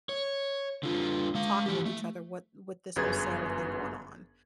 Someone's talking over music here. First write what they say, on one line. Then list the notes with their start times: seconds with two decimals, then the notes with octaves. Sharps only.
talking with each other what with this whole Sarah thing going on.
0.09 C#5
0.83 D3 F4
1.35 G#3 F5
1.66 E3 G4
1.85 A3
2.96 G1 F#2 G#4 B4 G#6 A6